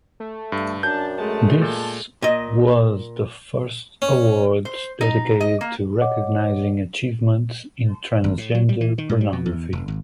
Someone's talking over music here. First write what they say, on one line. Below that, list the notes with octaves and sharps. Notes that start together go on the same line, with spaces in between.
This was the first awards dedicated to recognising achievements in transgender pornography.
A3
G2
F#2 D4 A5 G6
G#3 A3 A5
A#2 A5
A#2 D#5
C#4
C5
D#4
D#5
A#3
C#5 D#5 F#5 D6
G#1
A2
F#3
G3
E3
D#3
G#2
G3
B2
E2
F1
G#1